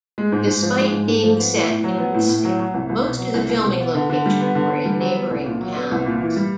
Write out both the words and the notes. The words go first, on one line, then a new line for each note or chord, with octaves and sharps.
Despite being set in Mystic, most of the filming locations were in neighboring towns.
G#3
G#2
G#2
F3
G#3
G#2
G#2
F3
B3
A2
A2
F#3
B3
A2
A2
F#3
F#3
C2
C2
B2
F#3
C2
C2
B2
B3
D3
D3
G3
B3
D3
D3
G3
F#3
B3
C2
A#2
F#3
B3
C2
A#2
E3
G3